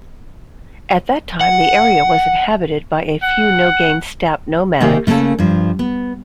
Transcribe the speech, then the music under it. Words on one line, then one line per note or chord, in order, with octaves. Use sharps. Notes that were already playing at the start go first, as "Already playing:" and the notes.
At that time the area was inhabited by a few Nogain steppe nomads.
F#5
F#5
C3 D#3 A#3 G4 G#4
C#3 A3 A#3 C#4 A4
G2 F3
B3